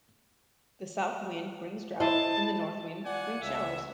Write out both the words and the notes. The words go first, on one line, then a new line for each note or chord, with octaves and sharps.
The south wind brings drought and the north wind brings showers.
E4 C5 D#5 A5
F4 D5 F#5 G#5
C#2 E5